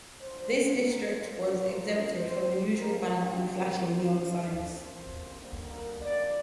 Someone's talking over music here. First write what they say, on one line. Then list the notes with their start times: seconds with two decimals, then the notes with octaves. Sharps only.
This district was exempted from the usual ban on flashing neon signs.
0.20 G2 D3 F3 C5
0.85 A#2 G3 A#3 A#4
1.17 C5
1.50 A#2 F3 A#3 C5
2.14 D2 C3 G3 C5
2.78 G2 F3 A#3 A#4
3.11 G4
3.44 F2 C3 A#3
3.75 C5
4.07 F2 D3 G3
4.72 D2 C3 F3 A#3 C5
5.37 D2 D3 G3 A#3
5.69 A#4
6.02 F2 D3 A#3 D5